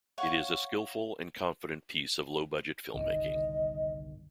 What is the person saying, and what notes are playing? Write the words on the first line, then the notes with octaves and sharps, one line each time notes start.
It is a skilful and confident piece of low budget filmmaking.
C#5 F5 F#5 C#6
G1 C2 D#3 D#5